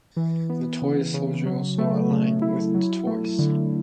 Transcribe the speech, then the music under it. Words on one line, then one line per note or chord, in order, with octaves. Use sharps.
The Toy Soldier is also aligned with the Toys.
E3
B3
C#3
C#3
F#3
A3
C#3
E4
F#3
A3
D3